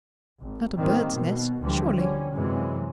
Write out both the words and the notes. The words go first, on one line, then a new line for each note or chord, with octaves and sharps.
Not a bird's nest, surely.'
G#1
G#2 D#3 G3 A#3 C4
B2
D2 E3 F3 G3
D3 G3 C#4
F#2 C3 E3 F#3 G#3